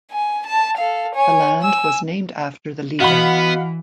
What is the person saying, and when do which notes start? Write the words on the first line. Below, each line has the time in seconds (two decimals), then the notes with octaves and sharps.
The land was named after the leader.
0.12 G#5
0.46 A5
0.77 A4 F5
1.15 C#5 G#5
1.63 G#5 E6
3.00 E3 B3 F#4 D#5 F5 F#5 B5